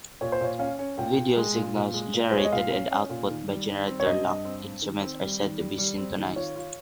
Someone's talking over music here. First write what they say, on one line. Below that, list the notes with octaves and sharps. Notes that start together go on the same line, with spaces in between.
Video signals generated and output by generator-locked instruments are said to be syntonized.
A#2 C#5
C5
A#2 C#5
C#4 F5
C#4
A#2 G5
A#2
G#3
A#2
A#2
G#3
A#2
G#3 C5
C#5
D#5
A#2 F5
C#4
C#4
A#2
D#3
G3
D#3
C4
C#5
G2 D#5
G2
C4
C4
D#3
C4
G3
D#3
G3
G3
C4
D#3
F4 C#5
F4